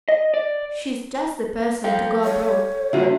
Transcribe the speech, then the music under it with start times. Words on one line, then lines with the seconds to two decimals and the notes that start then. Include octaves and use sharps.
"She's just the person to go abroad."
0.09 D#5
0.34 D5
1.84 A4 F5 G5
2.24 C#5
2.93 D3 F4 F#4 E5